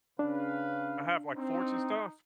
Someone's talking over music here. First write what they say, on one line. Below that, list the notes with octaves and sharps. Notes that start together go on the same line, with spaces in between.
I have, like, forts and stuff,
C#3 C#4 D4 B4 F5
C4 D#4